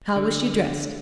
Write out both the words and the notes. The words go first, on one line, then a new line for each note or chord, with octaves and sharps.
"How was she dressed?"
D3